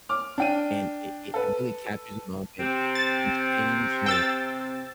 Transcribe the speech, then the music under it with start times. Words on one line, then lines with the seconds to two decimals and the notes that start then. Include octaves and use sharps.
and it it it really captures a moment. It it can change your
0.09 D6 F6
0.38 D4 G5 D#7
1.34 A4 B4
2.60 C3 C4
2.95 A6
4.06 G5 E6 A6